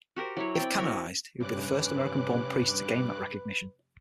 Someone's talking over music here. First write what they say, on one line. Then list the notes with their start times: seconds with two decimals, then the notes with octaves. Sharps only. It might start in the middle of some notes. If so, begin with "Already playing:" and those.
If canonized, he would be the first American-born priest to gain that recognition.
0.16 F#4 G4 A#4 C5
0.37 F#3 E4 C#5
0.55 C4 D5 G5
0.78 E4 F#4 A#4 E5
1.40 F1 G2 C3 C#4 B4 D6 F#6